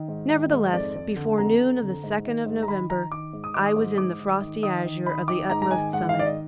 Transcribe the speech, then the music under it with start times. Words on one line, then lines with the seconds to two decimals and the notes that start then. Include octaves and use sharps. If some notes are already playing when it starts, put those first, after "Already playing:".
Nevertheless, before noon of the second of November I was in the frosty azure of the utmost summit.
Already playing: D#3
0.08 G#2
0.30 D#3
0.51 G#2
0.73 F2 D5
0.95 F2
1.16 D3
1.38 F2 A#5
1.60 F2
1.82 D3
2.04 G#2
2.25 D#3
2.46 G#2
2.63 A#5
2.68 D#3 B5
2.90 D#3 A#5
3.12 D#3 D6
3.33 G#2
3.44 D#6
3.54 D#3 D6
3.65 D#6
3.76 G#2
3.98 G#2 D6
4.20 D#3
4.41 D#3
4.63 D#3 D#6
4.85 D#3
5.06 D#3 B5
5.28 D#3 D6
5.50 G#2 A#5
5.62 A#5
5.71 D#3 G#5
5.93 G#2 F#5
6.09 D#3 F5
6.19 D5
6.25 D#5